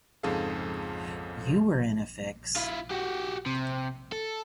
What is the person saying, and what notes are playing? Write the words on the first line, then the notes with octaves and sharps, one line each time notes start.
You were in a fix.
F2 G#2 C#3 G#4 A4 F5
E4 F4
F#4 G4
C3
A4